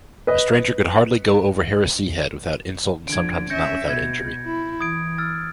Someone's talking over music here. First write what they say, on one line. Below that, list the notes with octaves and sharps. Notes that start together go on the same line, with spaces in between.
A stranger could hardly go over Harriseahead without insult and sometimes not without injury.
B4 D#5
D3 F3 G#6 D7
C#4 E5 G6 A#6 C#7
B2 G#6
E4
E3 D#6 G#6 D7
E6 F6 A6